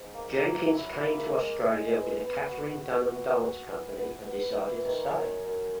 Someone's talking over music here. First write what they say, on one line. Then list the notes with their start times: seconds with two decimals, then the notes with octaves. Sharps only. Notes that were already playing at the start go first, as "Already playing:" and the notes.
Jenkins came to Australia with the Katherine Dunham Dance Company and decided to stay.
Already playing: G#2
0.14 A#3
0.43 F#3
0.73 E4
1.02 A#3
1.31 G#3
1.62 G#3
1.91 B3
2.20 B3
2.50 F#4
2.79 F#4
3.09 E3
3.38 F#4
3.67 E3
3.97 B3
4.27 B3
4.55 E3
4.85 D#3
5.14 F#2
5.45 F#2